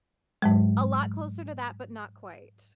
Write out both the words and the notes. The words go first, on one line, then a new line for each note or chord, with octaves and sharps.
A lot closer to that but not quite.
G#2 F#3 G#3